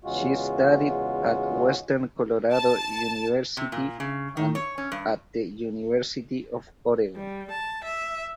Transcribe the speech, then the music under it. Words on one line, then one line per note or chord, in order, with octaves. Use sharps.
She studied at Western Colorado University and at the University of Oregon.
E2 C#3 G#3 F4 F#4
A5
C3
A#2
C#3
D#3
C#5
C#4
G2
G3
A5
E5